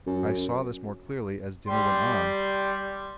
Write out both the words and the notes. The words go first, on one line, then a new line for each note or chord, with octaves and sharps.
I saw this more clearly as dinner went on.
F#2
G3 G4 C6